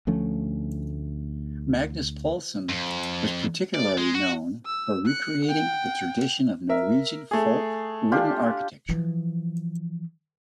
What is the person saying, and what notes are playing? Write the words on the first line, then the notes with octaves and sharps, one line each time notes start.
Magnus Poulsson was particularly known for recreating the tradition of Norwegian folk wooden architecture.
D2 F3 A3 C#4
F2
D5
G#3
F#4
E6
F#6 C#7
F#5 G5
A#4 E5
A3 G#4
D4 F4 G4
E3 F3